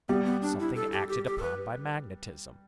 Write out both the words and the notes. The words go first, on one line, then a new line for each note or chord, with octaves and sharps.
Something acted upon by magnetism.
G3 B3
B3
D4
E4
A4
G4
G4
G4
A4
B4